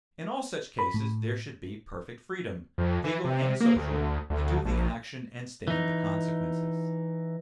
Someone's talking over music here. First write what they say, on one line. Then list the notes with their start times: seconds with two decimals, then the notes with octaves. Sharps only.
In all such cases there should be perfect freedom, legal and social, to do the action and stand the consequences.
0.79 B5
0.94 A2
2.78 F2
3.04 E3
3.25 C3
3.60 A#3
3.76 D2
4.30 D2
4.65 A#1
5.68 E3 D#4